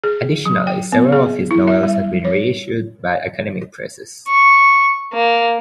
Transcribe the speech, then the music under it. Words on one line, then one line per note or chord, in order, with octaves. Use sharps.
Additionally, several of his novels have been reissued by academic presses.
G#4
F#3
G5
B3
G#4
E4
E5
G3
C#5
C#6
A#3